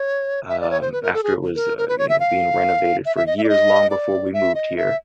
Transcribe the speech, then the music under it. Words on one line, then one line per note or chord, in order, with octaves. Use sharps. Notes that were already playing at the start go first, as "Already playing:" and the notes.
uh, after it was, uh, you know, being renovated for years long before we moved here,
Already playing: C#5
E5
D5
C#5
C5
B4
A#4
A4
G#4
A#4
A#4
B4
C#5
E5
F5
E5
E5
D#5
E5
D5
D#5
D5
E5
D#5
E5